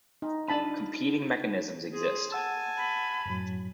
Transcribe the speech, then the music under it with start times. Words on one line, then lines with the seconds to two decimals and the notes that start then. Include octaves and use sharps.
Competing mechanisms exist.
0.22 D#4
0.48 D4 D#4 F4 A5 B5
1.93 G#4 C5
2.32 F#5 G#5 A5 E6
2.78 B5
3.26 F#2 A2 F#3